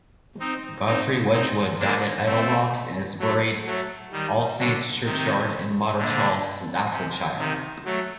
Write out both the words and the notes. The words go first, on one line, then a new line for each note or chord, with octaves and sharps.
Godfrey Wedgwood died at Idlerocks and is buried All Saints Churchyard in Moddershall, Staffordshire.
C4 D#4
C4 D#4
C4 D#4
A#3 D4
A3 C4
F#3 A3
F#3 A3
D#3 G3
D3 F#3
C3 D#3
A#2 D3
C3
C3 D#3
F#3 A3